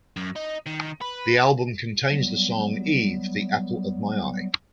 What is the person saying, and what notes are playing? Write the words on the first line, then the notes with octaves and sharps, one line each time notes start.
The album contains the song, "Eve, the Apple of My Eye".
F#2
D#4
D#3
B4
F#3 G3 B3